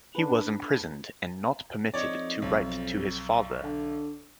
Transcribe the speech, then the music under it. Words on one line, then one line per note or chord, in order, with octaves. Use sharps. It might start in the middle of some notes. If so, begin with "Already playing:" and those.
He was imprisoned and not permitted to write to his father.
D4 B4
F2 D#4 C#5 D5
B1
D3